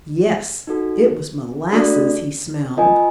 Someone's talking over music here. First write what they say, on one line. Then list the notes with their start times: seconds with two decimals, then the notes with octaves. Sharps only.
Yes, it was molasses he smelled!
0.67 D#4 F#4 A4
1.72 A3 D4 F#4 A4 D5
2.77 F4 A#4 D#5 G#5